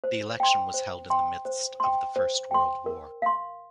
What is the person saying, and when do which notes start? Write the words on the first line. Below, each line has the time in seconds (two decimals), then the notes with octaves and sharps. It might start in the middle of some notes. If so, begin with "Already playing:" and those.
The election was held in the midst of the First World War.
0.04 C5
0.40 G5 C6
0.74 C5
1.10 G5 C6
1.45 C5
1.80 G5 C6
2.16 C5
2.51 G5 C6
2.86 A#4
3.22 F5 C6